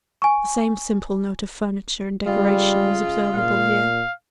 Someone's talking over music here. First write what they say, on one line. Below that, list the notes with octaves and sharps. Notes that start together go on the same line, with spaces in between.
The same simple note of furniture and decoration was observable here.
G#5 C#6
C#3 G3 G#3 F4
A#2 F5